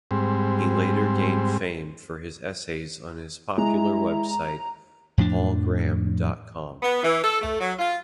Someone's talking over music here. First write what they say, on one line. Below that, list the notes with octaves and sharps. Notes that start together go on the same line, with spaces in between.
He later gained fame for his essays on his popular website paulgraham dot com.
G#2 G3 C4
G#3 E4 A#5
F2 A2 F3 D4
B3
E3
A4
A3
F#3
F4